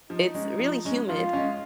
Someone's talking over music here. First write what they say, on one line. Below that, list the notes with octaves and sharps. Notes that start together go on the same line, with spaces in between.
it's really humid,
F3 D#4
G#3 C#4
F3
G#3 C#4
F3 F4
G#3 C#4